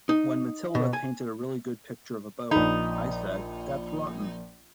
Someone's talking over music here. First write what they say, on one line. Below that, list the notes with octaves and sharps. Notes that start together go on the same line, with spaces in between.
When Matilda painted a really good picture of a boat, I said, 'That's wroughten.
D#4
B2
G#5
A#1 D#4 B5